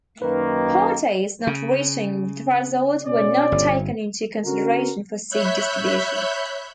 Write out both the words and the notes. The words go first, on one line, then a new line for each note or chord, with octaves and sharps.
Parties not reaching the threshold were not taken into consideration for seat distribution.
F#2 D#3 A#3 B4
C#3
B2 C#4 D5
G1
D3 C#4 F#4 A#4
C#5 E5 B5 F#6 G6